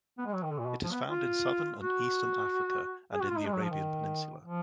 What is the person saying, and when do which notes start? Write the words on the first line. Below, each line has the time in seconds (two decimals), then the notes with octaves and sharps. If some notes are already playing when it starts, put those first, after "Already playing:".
It is found in southern and eastern Africa and in the Arabian peninsula.
0.18 B3
0.26 G#3
0.34 F#3
0.43 D#3
0.51 D3
0.59 A#2
0.67 B2
0.83 F3
0.92 B3
1.08 F4
1.82 F#4
3.13 G#4
3.21 F#4
3.29 F4
3.38 D#4
3.46 G#3
3.54 F#3
3.62 F3
3.71 D#3
4.44 F3